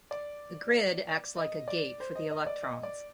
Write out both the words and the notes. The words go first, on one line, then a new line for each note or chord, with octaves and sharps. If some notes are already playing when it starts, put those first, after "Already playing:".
The grid acts like a gate for the electrons.
D5
D#5
D5
C5
D#5
D#5
D5
D#5
D5